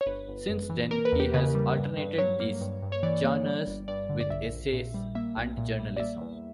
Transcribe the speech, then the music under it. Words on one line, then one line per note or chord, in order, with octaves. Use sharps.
Since then, he has alternated these genres with essays and journalism.
C#5
G1 B4
G1
F#2
E3
A#3 A#4
B4
E2
G4
C#3 B4
G3
G2
G2
F#3 C#5
A#3
G2
G2
C#5
E3 D5
A#3
G3
G1
G2 D5
D3
D5
A#1 E5
A#1
A#2
G3
A#3 E5
B1
A#2
G3
D5
A#3 E5
E2